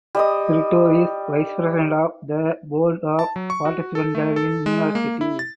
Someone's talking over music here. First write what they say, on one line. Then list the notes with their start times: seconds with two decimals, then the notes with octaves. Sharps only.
Spirito is Vice President of the Board of Participant Gallery in New York City.
0.15 G3 D#5 D#6
3.19 A5
3.36 F#3
3.50 C#6
3.65 F#4
3.95 A4
4.15 A3
4.36 A4
4.66 G#3
4.95 A#3
5.21 E4
5.39 A6